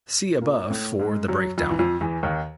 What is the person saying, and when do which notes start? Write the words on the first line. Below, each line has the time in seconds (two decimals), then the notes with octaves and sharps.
See above for the breakdown.
0.41 A#2 A#3
0.70 A2 A3
0.99 G#2 G#3
1.28 F#2 F#3
1.58 F2 F3
1.70 E3
1.79 F2 F3
2.01 E2 E3
2.23 D#2 D#3